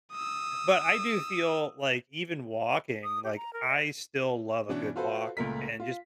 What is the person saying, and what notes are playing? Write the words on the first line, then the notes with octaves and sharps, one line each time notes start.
But I do feel, like even walking, like, I still love a good walk and just
D#6 E6
D#6
G4
A#5
A#4
D#5
B2 E3 B3 C#4 D4
F4 F#4 A4 B4 C5
C#2 A#2 A3 A#4 B6
F4